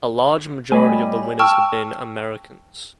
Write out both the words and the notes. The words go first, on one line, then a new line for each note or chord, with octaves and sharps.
A large majority of the winners have been Americans.
B2 G3 A3 C#5 D#5 G#5 B5
G5 A5 C#6 E6 F6